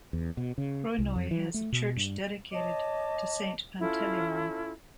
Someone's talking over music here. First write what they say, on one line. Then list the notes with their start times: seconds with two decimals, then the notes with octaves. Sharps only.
Krounoi has a church dedicated to Saint Panteleimon.
0.13 E2
0.37 B2
0.58 C#3
0.98 C2
1.16 F2
1.31 E3
1.54 A3
1.72 B2
1.97 G2
2.52 C#5 D#5 A5 D6
3.80 C#4 E4 F4 A4